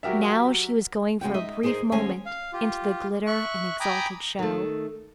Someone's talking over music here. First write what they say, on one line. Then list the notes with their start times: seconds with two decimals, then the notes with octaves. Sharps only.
Now she was going for a brief moment into the glitter and exalted show.
0.03 F#3 F#4 G4 A#4 E5
1.21 C#3 G#3 F#4 G5
1.34 D#4 D#5 E5
1.63 D#4 G#4 A#4 C5
1.92 D#2 G#3 C#4 C5 G#5
2.26 F5
2.53 F4 G4
3.27 E5 C#6 F#6
3.80 G5 G#5 A#5 B5 D6 D#6
4.39 D#3 A3